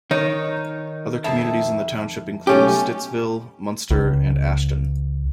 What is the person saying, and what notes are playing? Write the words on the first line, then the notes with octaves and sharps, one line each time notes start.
Other communities in the township include Stittsville, Munster, and Ashton.
D#3 D#4 C#5
F2 E5 A5
B1 A3 C#4 G4
C#2